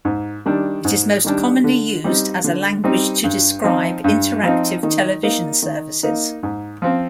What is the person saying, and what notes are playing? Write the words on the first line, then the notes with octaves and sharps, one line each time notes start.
It is most commonly used as a language to describe interactive television services.
G#2
D#3 G3 D4
G#2
D#3 G3 D4
D3
G3 C4 D#4
D3
G3 C4 D#4
G2
F3 C4 D#4
G2
F3 C4 D#4
D#3
A#3 D#4
D#3
A#3 D#4
G#2
F3 C4